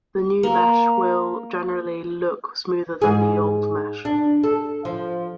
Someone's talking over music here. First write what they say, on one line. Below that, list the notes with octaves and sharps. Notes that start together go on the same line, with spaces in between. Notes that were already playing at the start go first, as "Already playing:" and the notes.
The new mesh will generally look smoother than the old mesh.
A#3
G#2 G#4
D4
A4
F3